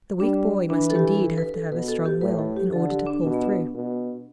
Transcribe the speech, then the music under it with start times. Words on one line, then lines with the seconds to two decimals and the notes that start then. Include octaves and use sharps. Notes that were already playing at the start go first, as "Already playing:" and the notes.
The weak boy must indeed have to have a strong will in order to pull through.
0.20 G3 D4
0.70 E3 D4
0.90 A4
0.96 G4
1.20 A4
1.38 B4
1.55 A4
1.71 B2 B4
1.88 A4
2.06 G4
2.21 A2 B4
2.39 A4
2.56 G4
2.73 D3 A4
2.89 G4
3.06 D4
3.23 B2 D4
3.34 B3
3.44 D4
3.74 B2